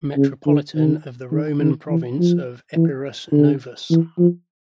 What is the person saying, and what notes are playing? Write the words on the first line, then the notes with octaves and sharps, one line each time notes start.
Metropolitan of the Roman province of Epirus Novus.
C#3
D3
D#3
D#3
D#3
E3
F3
E3
D3
E3
F3